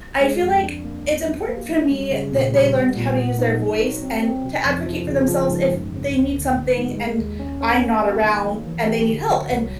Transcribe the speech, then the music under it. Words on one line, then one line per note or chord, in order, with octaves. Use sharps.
I feel like it's important for me that they learned how to use their voice and to advocate for themselves if they need something and I'm not around and they need help, and
G#3
F2
D4
A#3
E2
F#3
A#3
F#3
G3
C#3
A#2
G3
B3
A#2
B3
D#4
F#3
F#3
C4
C4
C3
F2
F3
C#3
F3
G#2
F#2
C#3
D2
D3
G#2
G#2
G#3
D#2
C#4
C#4
A#3
A#3
D#3
F#3
E3
G4
D3
F#3
C2